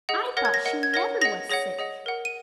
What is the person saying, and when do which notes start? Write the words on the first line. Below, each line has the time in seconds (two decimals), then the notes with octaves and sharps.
"I thought she never was sick."
0.09 G#4 D#5 F#5
0.37 A#4 C#5 F#5 A#6
0.45 G#6
0.54 A#6
0.65 A#4 D#5 F#5
0.83 G#6
0.93 A#4 C#5 F#5 A#6
1.21 G#4 D#5 F#5 A#6
1.50 G#4 C#5 F#5 A#6
1.79 G#4 D#5 F#5
2.06 A#4 F#5
2.25 D#7